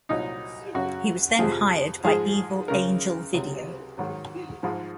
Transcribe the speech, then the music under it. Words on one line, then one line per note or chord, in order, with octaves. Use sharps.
He was then hired by Evil Angel Video.
C2 A#2 F#3 D#4
F#2 C#3 F#3 F#4
F2 C3 F3 G#4
G#2 F3 G#3 G#4
C#2 C#3 G#3 A#4
C#2 C3 F#3
G#2 D#3 F#3
G#2 F3 G#3